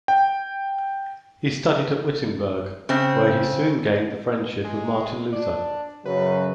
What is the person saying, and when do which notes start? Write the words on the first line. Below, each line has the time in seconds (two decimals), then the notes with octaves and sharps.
He studied at Wittenberg, where he soon gained the friendship of Martin Luther.
0.08 G5
2.89 C#3 C4
4.64 G#3
5.33 D4
6.05 F#2 C#3 F#3 B4